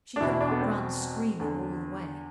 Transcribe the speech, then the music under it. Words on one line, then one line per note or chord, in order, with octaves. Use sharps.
She could not run screaming all the way.
D4
E2 B2 E4
E4
D4
B3
C4
E2 D3